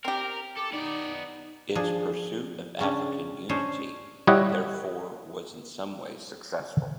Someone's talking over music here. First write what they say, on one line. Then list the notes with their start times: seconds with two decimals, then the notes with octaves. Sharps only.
Its pursuit of African unity, therefore, was in some ways successful.
0.05 C4 G4 A#4
0.57 A4 D6
0.72 B3 D#4 D5
1.75 F3 D4 G#4
2.80 C#3 C#4 D4
3.49 C#4 D4 C5 C#5 D#5
4.27 G3 E4 C#5 D#5 E5 F#5